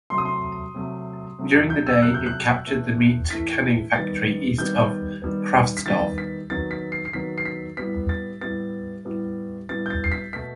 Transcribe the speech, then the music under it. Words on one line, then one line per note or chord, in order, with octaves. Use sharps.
During the day it captured the meat canning factory east of Kravtsov.
C3 F#3 A3 C6
D#6
C6
C3 F#3 A3
C3 F#3 A3
B6
G6
E6
C3 F#3 A3 F#6
G6
F#6
A2 E3 A3
A2 E3 A3 B6
D#3 G3 B3 A6
D#3 G3 B3 G6
D#3 G3 B3
B6
D#3 G3 B3 A6
B6
D#3 F#3 B3 A6
B6
C7
C7
D#3 F#3 B3 B6
C7
B6
A2 G3 B3 B6
A6
A2 G3 B3 A6
A2 G3 B3
A2 G3 B3 A6
G6
A6
C7
B6
B2 A3 B6